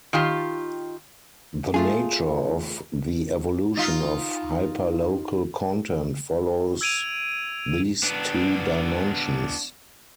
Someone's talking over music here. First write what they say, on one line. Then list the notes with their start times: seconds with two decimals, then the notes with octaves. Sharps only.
The nature of the evolution of hyperlocal content follows these two dimensions.
0.13 D#3 F4 G4
1.74 A3 F4 G#4
3.77 D#4 F4
6.81 E6 G#6 D7 D#7 F7
8.03 B3 D4